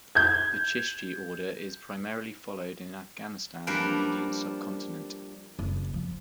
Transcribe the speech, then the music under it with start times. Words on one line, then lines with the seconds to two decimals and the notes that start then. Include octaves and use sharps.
The Chishti Order is primarily followed in Afghanistan and Indian subcontinent.
0.15 G6 G#6
3.67 F3 G3 A#3 D4 A#4 B4
5.59 F#1
5.94 F3